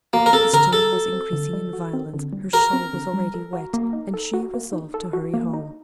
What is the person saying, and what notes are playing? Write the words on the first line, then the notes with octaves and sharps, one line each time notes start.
The storm was increasing in violence; her shawl was already wet, and she resolved to hurry home.
A#3 F#4
A#4
C4 A4
D3 A#4
G3 A4
F#4
C4
D3
G3
F#4
C4
D3
G3
F#4 A#4
C4
D3
G3
A4
F#4
A#3
D#4
A4
F#4
A#3
D#4
A4
F#4
A#3
D#4